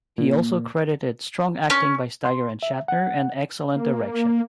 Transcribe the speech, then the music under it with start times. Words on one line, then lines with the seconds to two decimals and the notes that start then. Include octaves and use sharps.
He also credited strong acting by Steiger and Shatner and excellent direction.
0.18 A#2
1.70 C#4
2.25 C6
2.63 E5
2.88 F#5
3.76 A#3